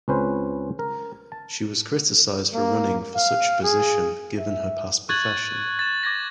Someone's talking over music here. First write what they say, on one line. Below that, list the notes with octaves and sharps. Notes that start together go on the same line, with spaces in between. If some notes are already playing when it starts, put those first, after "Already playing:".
She was criticized for running for such a position, given her past profession.
C#2 C4 C#4 B4 C5
A#4
A5
A#3
F5
G#4
E5
C#6 F#6 G#6 A6 F#7
A6 E7
D6 G#6 A#6